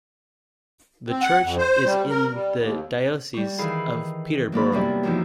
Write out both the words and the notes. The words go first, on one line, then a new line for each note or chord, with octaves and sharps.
The church is in the Diocese of Peterborough.
C4
F#5
F2
C5
G3
A#4
G3
D#2
G3 C#6
D#3 E3 G#4 F5 B5
F#3 A#3 D4 B5
E2 C3 G3 D4
F#2 E3 F3 D#4 E4